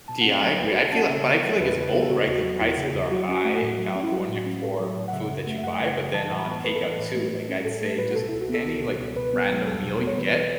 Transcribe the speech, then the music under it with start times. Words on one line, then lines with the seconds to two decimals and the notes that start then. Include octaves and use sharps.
De I yeah, I agree, I feel a but, I feel like it's both, right, 'cause prices are high in California for food that you buy, but then on takeout too, like, I'd say just any, like, r random meal you get,
0.08 B2 A5
0.21 F#5
0.25 C#4
0.34 E5
0.42 F#3 C#5
0.58 C#2 B4
0.72 B2 F#4
0.84 A4
0.92 C#4 F#5 A5
1.09 C#3 E5
1.26 B3
1.43 F#3
1.60 E2 B4
1.71 A4
1.76 C#3 B4
1.93 B3
2.02 A4
2.10 C#3 F#4
2.27 E2
2.44 F#3
2.61 E2 E4
2.77 C#3
2.94 E2
3.11 F#3 F#4
3.28 C#4
3.44 A3
3.62 A2
3.78 F#3
3.95 C#4
4.03 E4
4.12 F#3 F#4
4.28 A2
4.46 C#4
4.63 A2 A4
4.79 F#3
4.96 A2
5.08 F#5
5.12 C#3 E5
5.29 F#2
5.47 A3
5.58 E5
5.63 F#2 F#5
5.81 C#3
5.98 F#2
6.14 E3 A5
6.26 A5
6.30 A2
6.39 B5
6.47 B3 A5
6.64 A2 B4
6.75 A4
6.81 E3
6.86 B4
6.98 A2
7.15 A3
7.32 A2
7.49 C#4
7.65 A2 A4
7.82 A3 A4
7.98 A2 B4
8.11 F#4
8.16 B2 A4
8.29 C#2 E4
8.41 F#4
8.49 B3 A4
8.66 C#2
8.83 B2
9.00 C#2
9.16 B2 B4
9.33 B3
9.50 F#3
9.67 E2 A4
9.84 B2
10.01 B3
10.07 C#5
10.18 E3 B4